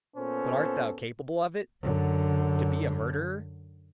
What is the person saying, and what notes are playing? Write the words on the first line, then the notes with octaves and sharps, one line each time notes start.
But art thou capable of it--to be a murderer?
A#2 B3 C#4 A4 C5
F#2 D3